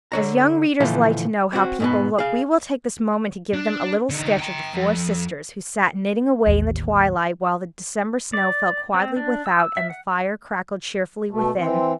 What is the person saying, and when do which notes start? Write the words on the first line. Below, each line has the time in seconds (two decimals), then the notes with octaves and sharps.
As young readers like to know 'how people look', we will take this moment to give them a little sketch of the four sisters, who sat knitting away in the twilight, while the December snow fell quietly without, and the fire crackled cheerfully within.
0.12 D3 C#5 A#5
0.80 A#2 D3 E3 F3 A3
1.53 C4 F#4
1.80 G#2 B2 B3
2.18 G#4 F5
3.53 D4
4.10 D3 D#4
4.39 G5 A#5
4.73 F2
6.46 A1 D#2
8.33 D5
8.94 C4
9.16 D4
9.46 E6
9.77 E5
9.90 F#5
11.31 B2 A3
11.57 E3 C4